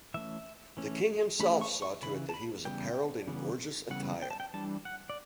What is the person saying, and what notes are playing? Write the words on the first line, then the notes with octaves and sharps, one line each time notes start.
The king himself saw to it that he was apparelled in gorgeous attire.
E3 A3 C#4 E5
E3 A3 C#4
E3 A3 C#4 B5
C#6
C#6
C#3 E3 B5
A5
B5
C#3 E3 G3 B3 G5
C#3 E3 G3 B3
C#3 E3 G3 B3 F#5
G5
A5
G5
E3 G3 D4 A5
F#5
D5